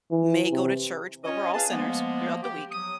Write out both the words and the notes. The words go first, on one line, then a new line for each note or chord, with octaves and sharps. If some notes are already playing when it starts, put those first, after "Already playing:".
may go to church, but we're all sinners throughout the week,
E3
C3
C#4 F4 C#5 D#5
G#4 B4 F5 A5
F3 G#3 A#3 B3
G4
F#3 D#6